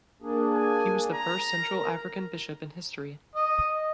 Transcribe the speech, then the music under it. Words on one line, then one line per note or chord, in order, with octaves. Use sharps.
He was the first central African bishop in history.
A#3 D4 G#4
G#5
A#5
A#4
D#5